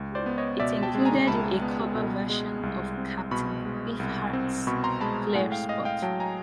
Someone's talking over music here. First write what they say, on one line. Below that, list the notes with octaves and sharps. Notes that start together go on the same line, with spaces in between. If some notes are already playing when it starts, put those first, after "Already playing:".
It included a cover version of Captain Beefheart's "Clear Spot".
Already playing: C#2
C5 D5
B3
C#5 D#5
B2 D5 E5
G5 A5
G#3
G#5 A#5
C#2 A5 B5
B3
B2
G#3
C2
C4
B2 B5 C#6
G#3
C2
C4
B2 B5 C#6
A#5 C6
G#3 A5 B5
A2 F#5 G#5
F5 G5
A2 D#5 F5
F5 G5
F#3 G5 A5
G#5 A#5